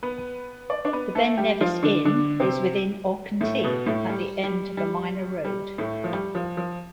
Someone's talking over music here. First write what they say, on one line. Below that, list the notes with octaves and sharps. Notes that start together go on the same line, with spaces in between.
The Ben Nevis Inn is within Achintee, at the end of a minor road.
B3 B4
D5
D4 D5
B3 B4
A3 A4
G3 G4
F3 F4
D3 D4
D3 D4
C3 C4
A2 A3
B2 B3
A2 A3
G3
G3
G3
G3
A2 A3
F3
G3
F3
F3